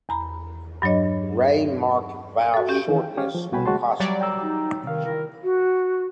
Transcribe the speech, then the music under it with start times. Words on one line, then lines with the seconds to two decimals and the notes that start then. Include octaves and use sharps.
Ray marked vowel shortness when possible.
0.09 E2 A#5 B5
0.82 G2 F#3 D4 C#5 D#5
2.54 F#4 A4
2.69 C#4 G4 G6
2.88 D#3 E3
3.01 G5
3.17 C#4 G4 C#5 F5
3.35 F3
3.52 C2 B2 F#4 G5 G#5 B5
3.66 D2 G#3 F#4 C#5 A5 C6
4.00 F#3 G3 D5
4.21 G5 A#5 E6
4.40 D#4
4.83 C3 D#3 F5
5.04 D#3 E4 A#4
5.44 F#4